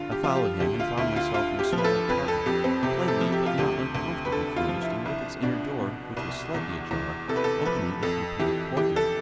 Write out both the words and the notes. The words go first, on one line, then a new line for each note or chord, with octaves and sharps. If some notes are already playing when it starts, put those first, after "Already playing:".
I followed him, and found myself in a small apartment, plainly but not uncomfortably furnished and with its inner door, which was slightly ajar, opening into a paved courtyard.
Already playing: G2 D3 F4
G4
F3 F4
G4
D2 G4
F4
D2 E4
F4
D3 F4
G4
F3
B4
A4
F2 B4
A4
F2 G4
C4
C3 G4
A4
F3
G4
F4
D2 G4
D2
B4
D3 A4
F4
F3
E4
C2 E4
B2 D4
B2
C2
E2
E2
C3 A4
B4
A4
F3 B4
F2 A4
E3 G4
E3 G4
A4